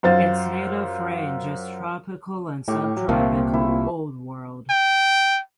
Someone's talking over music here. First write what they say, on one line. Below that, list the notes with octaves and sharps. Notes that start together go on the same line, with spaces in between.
Its native range is Tropical and Subtropical Old World.
F#2 F4 C5 A6
A2 G4 F5 C#6
F#3
C2 A#2 A3 A#3 C4 F4
E4
G5